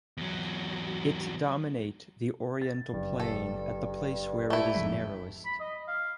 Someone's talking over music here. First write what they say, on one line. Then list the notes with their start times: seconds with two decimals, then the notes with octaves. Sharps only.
It dominate the oriental plain at the place where it is narrowest.
0.17 E2 F#3
2.62 A6
2.93 F#1 G2
3.20 A4
4.50 A3 E4
4.75 F1 G#2 B6
5.45 B5
5.60 D#5
5.88 F5